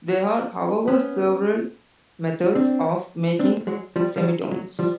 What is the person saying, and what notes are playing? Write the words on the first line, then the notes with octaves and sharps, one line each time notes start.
There are however several methods of making semitones.
B3 C#4
C4 D4
C4 D4
F#3 G#3
F3 G3
G3
F#3
F#3
F3 G3